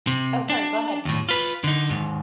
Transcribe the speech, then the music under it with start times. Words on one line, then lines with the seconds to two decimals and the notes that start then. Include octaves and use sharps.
Oh, sorry, go ahead.
0.07 C3
0.50 D4
1.05 D#2 A2
1.29 F4 B4
1.64 D3 D#4
1.89 D#2 G#2